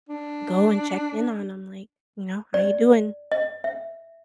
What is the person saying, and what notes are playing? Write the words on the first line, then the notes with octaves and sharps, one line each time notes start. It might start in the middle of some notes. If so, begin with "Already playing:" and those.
go and check in on 'em, like, you know, "How you doing?
D4
D5
D#5
E5